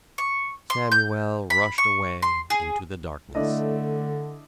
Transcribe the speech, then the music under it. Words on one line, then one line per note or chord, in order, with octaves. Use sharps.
Samuel rushed away into the darkness.
C#6
C6
G6
B5
C#6
C6
G#4
D3 A3 D4 E4 D#5